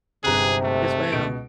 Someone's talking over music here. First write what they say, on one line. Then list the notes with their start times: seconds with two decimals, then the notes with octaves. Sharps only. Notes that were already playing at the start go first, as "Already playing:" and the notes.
Yes, ma'am.
0.24 G1 G#2 C3 G#4 A#5 F#6
0.64 A3
1.12 C#2 B2 D7